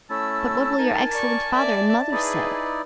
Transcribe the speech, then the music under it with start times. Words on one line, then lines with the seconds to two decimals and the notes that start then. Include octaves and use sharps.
But what will your excellent father and mother say?
0.10 A3 C#4 E4 A5 E6
0.78 D#4 A#4 G#5
1.11 D5 C#6
1.52 D5 E5
2.12 D#4 E4 G#4 B4 D5